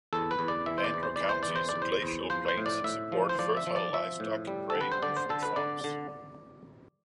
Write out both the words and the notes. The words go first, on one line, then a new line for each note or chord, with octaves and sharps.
Andrew County's glacial plains support fertile livestock, grain, and fruit farms.
E2 A4
B4
E2
D5
E3 E5
C5
D5
E2
C5
E3 D5
C5
D5
E2
C5
D5
E2
C5
E2
F3 C5
C5
A2
D5
A2 E5
F3
C5
F3 D5
E5
F3
D5
F3 E5
A2
G3
A4
D3
B4
C5
D3 D5
C5
D3 A4
B4
D3 D5
D3